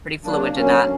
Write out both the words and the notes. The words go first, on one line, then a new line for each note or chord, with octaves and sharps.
Pretty fluent in that.
F#3 A#3 D4
D3 F#3 A#3 C#4